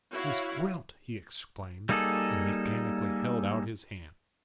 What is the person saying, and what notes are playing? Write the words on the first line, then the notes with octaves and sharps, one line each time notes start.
"Miss Gwilt!" he exclaimed, and mechanically held out his hand.
E4 F#4 C#5 F5
G3 A#3 D#4 G#4 A4